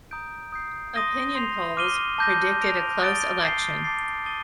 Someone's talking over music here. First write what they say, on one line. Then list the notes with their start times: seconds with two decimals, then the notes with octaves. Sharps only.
Opinion polls predicted a close election.
0.11 A#5 D#6 G6 D7
0.52 D#6 G6 C7
0.94 C6 D#6 A#6 D#7 G7
1.35 C6 D#6 G6 C7 F7
1.77 D6 F6 C7 D#7 G7
2.18 A5 D6 G6 A#6
2.60 G6 A#6 D7 F7
3.01 D#6 A6 D7 G7
3.43 D#6 G6 C7 G7
3.84 A5 D6 A6 C7
4.25 D#6 A6 D#7 G7